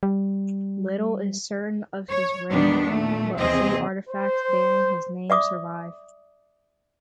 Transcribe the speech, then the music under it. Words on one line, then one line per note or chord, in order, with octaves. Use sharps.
Little is certain of his reign, but a few artifacts bearing his name survive.
G3
C#5
E2 A#2 D#3 G3 B3 D4
A#2 A3
D#2 C3 E3 C4 G#4 D#5
C5
D5 E5 D6 D#6